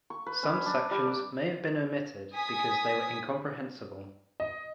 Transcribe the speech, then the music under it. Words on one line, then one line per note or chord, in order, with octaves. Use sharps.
Some sections may have been omitted because they were incomprehensible.
C#6
B4
C#4
D4
G3
D6
G#5 D#6 B6
D#5